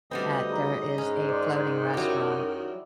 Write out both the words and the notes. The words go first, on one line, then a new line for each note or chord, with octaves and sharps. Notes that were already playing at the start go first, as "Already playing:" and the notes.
at there is a floating restaurant
D2 G3 B3 C4 B4 D#5
G#3 D#4
G#2 C#4
D#3 C5 D5
F#2 F#3 E4 G4